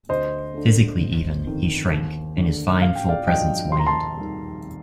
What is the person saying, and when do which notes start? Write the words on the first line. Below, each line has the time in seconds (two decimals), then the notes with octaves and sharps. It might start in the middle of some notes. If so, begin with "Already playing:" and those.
Physically even, he shrank, and his fine full presence waned.
0.09 D2 C5 D#5
0.54 D3 A3
0.99 G1
1.46 F2 D#3
1.91 D#2
2.36 D3 A3
2.82 A1 F5
2.95 G5
3.09 D5 F5
3.27 G2 F3 D#5 G5
3.72 D#2 C6
3.79 A#5
3.87 A5 C6
4.17 D#3 G3